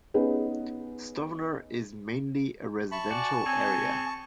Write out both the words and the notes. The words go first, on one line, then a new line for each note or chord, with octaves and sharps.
Stovner is mainly a residential area.
B3 C#4 D#4 G#4 B4
E5 A5 B5 C#6
F#4 D5 G#5
C4 G#4 C#5 G#5